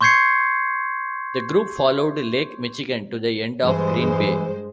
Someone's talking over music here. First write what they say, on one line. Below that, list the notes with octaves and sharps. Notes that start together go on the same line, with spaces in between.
The group followed Lake Michigan to the end of Green Bay.
C6 C#6 G6 G#6 C7 C#7
G2 E3 G#3 C5